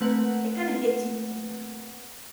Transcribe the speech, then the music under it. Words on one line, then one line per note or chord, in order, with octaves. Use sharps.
it kinda hits you sometimes.
A3 A#3 C4 B4 F#5